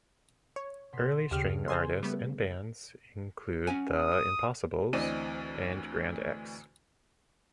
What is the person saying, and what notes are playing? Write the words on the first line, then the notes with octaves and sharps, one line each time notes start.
Early string artists and bands include The Impossibles, and Grand Ex'.
C#5
B2 C6 B6
D#2 C#3 G4 F6
C5 G#5 C6
G3 A3 B3
C#4 F#5 G#5
D#6
D2 E3 C4 D5 D#5 D#7